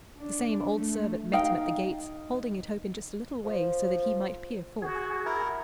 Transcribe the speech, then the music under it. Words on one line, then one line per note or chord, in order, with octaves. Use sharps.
The same old servant met him at the gates, holding it open just a little way so that he might peer forth.
D4
A3
D#4 F5 G5
F3
F#4 G#4
E4 A#4